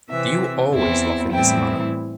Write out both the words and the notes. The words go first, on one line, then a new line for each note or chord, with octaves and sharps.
Do you always laugh in this manner?
C3 E3 C4 E5
E2 E3 C4 E4
A2 E3 G3 C4 E4 G5